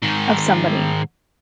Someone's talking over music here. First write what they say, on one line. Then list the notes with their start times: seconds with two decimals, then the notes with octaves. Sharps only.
of somebody.
0.02 G#2 D#3